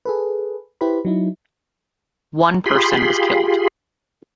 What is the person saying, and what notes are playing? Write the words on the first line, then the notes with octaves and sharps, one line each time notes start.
One person was killed.
G#4 A4 B4
E4 G4 B4 C5 B5
F#3 D#4 E4
F4 G4 G#4 B5 C6